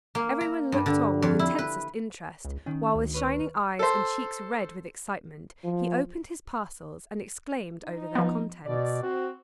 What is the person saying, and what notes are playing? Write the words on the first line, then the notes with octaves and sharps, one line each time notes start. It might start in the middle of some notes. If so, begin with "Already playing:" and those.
Every one looked on with intensest interest while, with shining eyes, and cheeks red with excitement, he opened his parcels, and exclaimed over their contents.
A#3
A#5
G2
D3
F2
E4
B4
C#2
D#3 C#4
D2
B4 C#5 F6
A4 C5
F3
D#4
F3 B3
B2 D5
C4 F#4